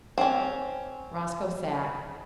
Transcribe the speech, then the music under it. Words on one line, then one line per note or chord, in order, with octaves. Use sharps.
Roscoe sat.
C4 C#4